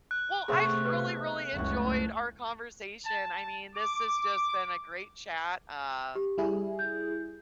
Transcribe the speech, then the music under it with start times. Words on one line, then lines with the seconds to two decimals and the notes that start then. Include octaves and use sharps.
well I've really, really enjoyed our conversation, I mean this has just been a great chat, um,
0.11 F#6
0.48 C3 A3 B3 C4 G#4 C5 E5
0.85 B4
1.54 F#1 C#2 A2 F#5 C#6
3.06 A5
3.76 D6
6.15 G4
6.38 G3 E4 G#4
6.79 G6